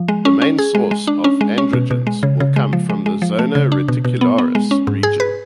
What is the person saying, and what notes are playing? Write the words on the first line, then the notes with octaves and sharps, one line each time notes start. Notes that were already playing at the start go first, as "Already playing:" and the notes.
The main source of androgens will come from the zona reticularis region.
Already playing: F3
G#3
C#4
C#4
G#4
G#3
G#3
D4
C#4
G#3
C#4
B2
B2
G#3
C#3
C#3
G#3
F3
G#3
G#3
F3
A3
C#3
D4
B2
B2
B3
B3
G#3
C#4
G#2
G#4
B4